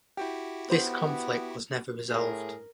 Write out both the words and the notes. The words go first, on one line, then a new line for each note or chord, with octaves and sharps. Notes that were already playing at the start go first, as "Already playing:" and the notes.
This conflict was never resolved.
E4 F#4 G4 G5
B3 C5 C6
A2 G#4 A#4